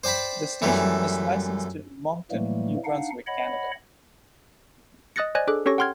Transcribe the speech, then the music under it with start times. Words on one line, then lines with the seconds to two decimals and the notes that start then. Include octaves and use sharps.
The station is licensed to Moncton, New Brunswick, Canada.
0.04 C5 D5 G5 A5 B5
0.62 F#2 E3 G3 A3
2.31 A2 E3 F#3 G3 A3 A#3
2.85 D4 D#4 F5 F#5
3.27 C#5 D#5 F#5 B5
5.16 D#5 D#6 F#6 A6 A#6 C#7
5.35 C5 D5 D#5 G#5 F#6 G#6
5.47 D4 G#4 A4 D6 F#6
5.66 C#4 G4 A4 C#5 C#6 A#6
5.78 F#5 G5 C6 F6 G#6